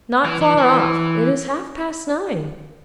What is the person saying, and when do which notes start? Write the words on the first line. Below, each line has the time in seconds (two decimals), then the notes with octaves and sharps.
'Not far off--it is half-past nine.
0.25 E3
0.41 E3
0.57 E3